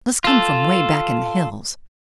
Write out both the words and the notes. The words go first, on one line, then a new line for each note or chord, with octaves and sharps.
"Must come from way back in the hills."
F4 A4